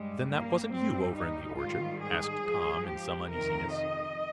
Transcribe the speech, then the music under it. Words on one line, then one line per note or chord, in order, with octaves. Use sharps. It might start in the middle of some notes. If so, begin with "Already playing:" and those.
"Then that wasn't you over in the orchard?" asked Tom, in some uneasiness.
Already playing: G2 G3 G#3
A#3
G2 G3 C4
D#4
G#2 D#3 G3 F4
G#4
G#2 F3
G4
F2 C3 D#3 A#4
D#5